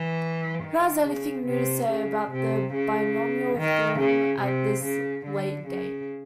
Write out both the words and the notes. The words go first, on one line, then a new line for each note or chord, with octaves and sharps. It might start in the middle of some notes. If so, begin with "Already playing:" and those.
Who has anything new to say about the binomial theorem at this late date?
Already playing: E3
D#3
C#3
C3
C#3
C3
C#3
D#3
C#3
C3
C#3
D3
C#3